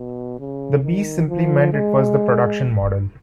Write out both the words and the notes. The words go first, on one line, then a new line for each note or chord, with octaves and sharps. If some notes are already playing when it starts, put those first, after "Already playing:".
The "B" simply meant it was the production model.
Already playing: B2
C#3
D#3
F3
G#3